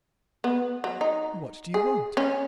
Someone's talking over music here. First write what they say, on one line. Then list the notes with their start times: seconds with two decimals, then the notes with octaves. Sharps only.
"What do you want?"
0.44 B3
0.84 F#3
1.01 D#4
1.74 G#4
2.17 C#4